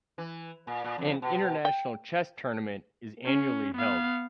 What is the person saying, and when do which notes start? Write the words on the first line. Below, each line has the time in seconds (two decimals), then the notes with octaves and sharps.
An international chess tournament is annually held.
0.18 E3
0.67 A#2
0.84 A#2
0.98 F2
1.22 B2
1.65 G5
3.25 C#4
3.75 B3 F5